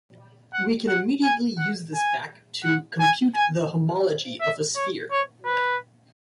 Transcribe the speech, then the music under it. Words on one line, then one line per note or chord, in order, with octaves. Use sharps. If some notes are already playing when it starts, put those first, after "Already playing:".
We can immediately use this fact to compute the homology of a sphere.
F#5
F#5
G#5
F#5
G#5
F#5
G#5
G#5
E5
C#5
C#5
B4